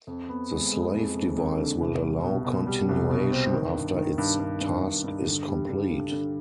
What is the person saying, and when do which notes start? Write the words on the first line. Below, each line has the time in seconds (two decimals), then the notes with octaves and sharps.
The slave device will allow continuation after its task is complete.
0.07 F2
0.29 B3
0.51 G#3
0.72 G#3
0.94 F2
1.15 F2
1.37 F2
1.59 D3
1.81 C2
2.02 G3
2.24 B2
2.44 B2
2.67 G3
2.89 C2
3.10 B2
3.32 C4
3.53 D#3
3.75 G2
3.96 D#3
4.18 G2
4.39 G2
4.61 G2
4.83 G2
5.04 G2
5.26 D3
5.48 G3
5.69 D3
5.91 D3
6.12 D3